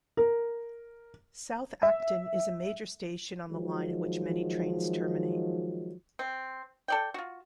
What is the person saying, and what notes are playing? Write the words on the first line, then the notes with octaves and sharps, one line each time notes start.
South Acton is a major station on the line at which many trains terminate.
A#4
E5
D#3 F3 F#3 G#3
C4
A4 D5 G5
F4 F#4